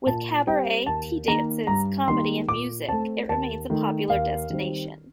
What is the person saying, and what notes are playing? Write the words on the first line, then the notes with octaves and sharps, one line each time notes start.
With cabaret, tea dances, comedy and music, it remains a popular destination.
A#2 A5
G3 C4 G5
D#2 A5
D#3 A#3 A#5
G2 A#5
D#3 G3 A#3 C6
A#2 D6
A3 C4 A5
D#2 A5
D#3 A3
D#2 F5
D#3 G3 C4